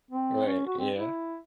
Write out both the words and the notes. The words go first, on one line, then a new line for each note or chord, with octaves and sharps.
Right, yeah.
C4
C#4
F#4
C4
E4